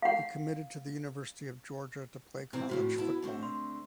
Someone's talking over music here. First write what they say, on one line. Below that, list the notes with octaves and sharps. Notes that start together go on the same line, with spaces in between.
He committed to the University of Georgia to play college football.
F5 F#5
C3 E3 C4
F2 A2 F3 F#4
B3 E4 A5
D3 A3 C4
C6